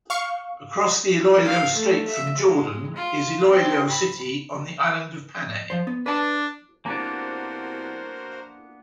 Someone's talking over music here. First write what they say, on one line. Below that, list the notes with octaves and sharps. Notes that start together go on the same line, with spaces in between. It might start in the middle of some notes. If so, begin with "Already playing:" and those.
Across the Iloilo Strait from Jordan is Iloilo City on the island of Panay.
F5 C#6
F5
A3
E5
G#3
F4
C4
B5
F3 C5
B3
D4 B4 A5
C2 A#3 B3 D4 F#4 A#4 C5